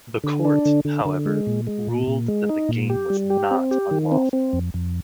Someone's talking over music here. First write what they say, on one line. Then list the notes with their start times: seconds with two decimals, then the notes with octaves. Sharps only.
The court, however, ruled that the game was "not" unlawful.
0.24 D3
0.45 D4
0.65 D3
0.85 D3
1.05 D3
1.26 G#3
1.47 A#2
1.67 G#3
1.87 A#2
2.07 A#2
2.28 G#3
2.49 D#4
2.69 A#2
2.90 G4
3.10 G3
3.30 G4
3.51 C4
3.71 G4
3.91 D#3
4.12 C4
4.33 C4
4.53 F2
4.74 F2